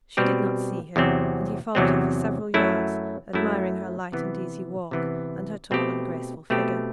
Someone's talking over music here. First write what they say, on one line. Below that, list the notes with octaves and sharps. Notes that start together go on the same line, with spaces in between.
She did not see him; and he followed her for several yards, admiring her light and easy walk, and her tall and graceful figure.
B2 G3 C4 G4
E2 C3 F#3 C4
E2 C3 F#3 C4
F#2 F#3 A3 E4
F#2 F#3 A3 E4
C3 E3 B3
C3 E3 B3
B2 A3 C4 G4
B2 A3 C4 G4